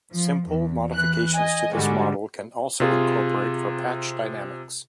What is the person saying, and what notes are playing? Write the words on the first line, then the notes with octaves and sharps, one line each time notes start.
Simple modifications to this model can also incorporate for patch dynamics.
F3
E2
E3 F#6
D#5 G#5
G#2 D3 G3 G#3 F#4
C3 F4 G#4